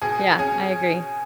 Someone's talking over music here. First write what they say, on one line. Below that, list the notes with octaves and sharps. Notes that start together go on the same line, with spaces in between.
Yeah, I agree.
B2 G#4
C#4 G#4